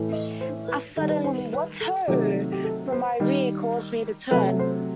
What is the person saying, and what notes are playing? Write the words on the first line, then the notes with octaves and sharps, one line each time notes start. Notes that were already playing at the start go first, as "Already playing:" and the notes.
A sudden "What ho!" from my rear caused me to turn.
Already playing: A2 E3 A3
D#5
C5
B4
D#3 G3 A4
B4
C5
B4
B4
A4
C3 D#3 F#3 A3 G4
G4
A4
C5
D#3 G3
C3 F#3 A3 B4
C5